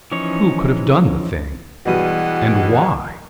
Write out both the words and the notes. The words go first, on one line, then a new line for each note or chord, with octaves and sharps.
Who could have done the thing--and why?
E3 F3 C#4 D#4 C#5
E2 G2 B2 E3 G3 G#3 F#5 D#6